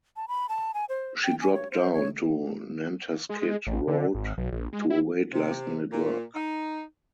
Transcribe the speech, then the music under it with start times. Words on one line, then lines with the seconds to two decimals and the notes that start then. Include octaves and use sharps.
She dropped down to Nantasket Road to await last minute work.
0.16 A5
0.28 B5
0.49 A5
0.74 G#5
0.89 C5
1.23 G5
1.41 G#5
1.54 C#5
1.72 C5
1.93 C#5
3.29 G#3
3.66 A1
3.88 D3
4.14 G#1
4.37 B1
4.52 A#1
4.73 G#3
4.90 E4
5.32 C3
5.91 A#2
6.34 D#4